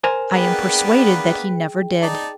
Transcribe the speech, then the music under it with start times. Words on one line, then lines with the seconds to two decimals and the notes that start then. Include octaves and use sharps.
"I am persuaded that he never did."
0.04 A#4 C5 G#5
0.32 A#3 B3 D4 G#4 B4 G5
2.02 D#4 D5 A5